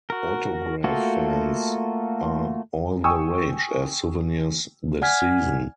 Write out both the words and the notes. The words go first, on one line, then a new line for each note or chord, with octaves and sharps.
Autograph fans are all the rage as souvenirs this season.
F#4 A#4
A3 A#3 F4 F#4 A4
G5 G#5 C#6 D#6 E6
D5 F#5 G#5 F6 G#6 B6